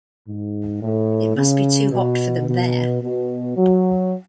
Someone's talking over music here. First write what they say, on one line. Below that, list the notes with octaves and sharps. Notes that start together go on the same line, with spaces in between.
It must be too hot for them there.
G#2
A2
C#3
B2
B2
B2
F#3